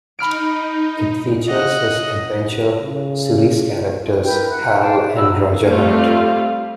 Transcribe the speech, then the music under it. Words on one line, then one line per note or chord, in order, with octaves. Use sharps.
It features his "Adventure" series characters, Hal and Roger Hunt.
D#4 B5 F6 D7
D#5 F#5
C#3
E4 A#4 B4 G5
F#5 F#6
F5 G5 A5
E5
F#4 B5 E6
A#5
G3 A3 C4 F4 F5